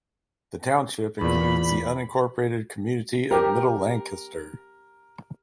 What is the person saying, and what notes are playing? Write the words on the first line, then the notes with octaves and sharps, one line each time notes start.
The township includes the unincorporated community of Middle Lancaster.
E2 A#2 B5
G4 A#4